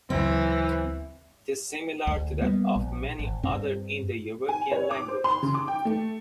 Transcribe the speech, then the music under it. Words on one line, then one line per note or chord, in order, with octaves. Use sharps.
It is similar to that of many other Indo-European languages.
D2 C#3 E3 F#3 C4
D2
G3 A#3 B3
A#1
G#1
G2 C4
G#5
C#5
D6
C5
C6
C#3
D6
G5
A3